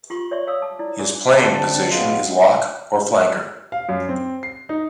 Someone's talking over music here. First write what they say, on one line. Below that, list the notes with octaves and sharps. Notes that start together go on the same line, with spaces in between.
His playing position is lock or flanker.
F4 G4 C6 C#6
C#5 D5 E5 C6 C#6
C#5 F5 B5 D#6 E6
A5 D6
E4 D5
F#4 G#4 A#4 D5 G#5 D6
D3 C4 D5 A5
F2 B2 F#3 G#3 F4 D#5
F5
F#2
C4
C7
D#4